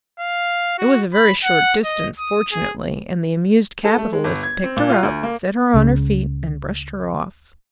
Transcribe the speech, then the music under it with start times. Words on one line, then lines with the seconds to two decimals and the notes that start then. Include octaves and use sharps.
It was a very short distance, fortunately, and the amused capitalist picked her up, set her on her feet, and brushed her off.
0.20 F5
0.78 F#4
1.14 B5
1.44 F#5
1.84 D#5
2.18 D#6
2.52 G#4
3.85 A4
3.98 A3
4.13 G#3
4.24 G1
4.43 G#6
4.64 C4
4.77 A#2
4.90 F4
5.03 D2
5.23 A#3
5.74 C#2 C#3